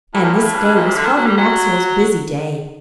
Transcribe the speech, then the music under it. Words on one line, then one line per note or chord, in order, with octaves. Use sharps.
And this day was Harvey Maxwell's busy day.
A2
A#2
A2
A2
G2
G2
A#2
C3
D3
D#3
F#3
G3
F#3